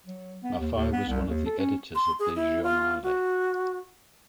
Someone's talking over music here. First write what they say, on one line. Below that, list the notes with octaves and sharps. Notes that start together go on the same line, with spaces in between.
Maffei was one of the editors of the Giornale.
F#3
B3
D#2
D#2
B3
C2
D#2
A4
C#4
C6
G#4
E4
F4
F#4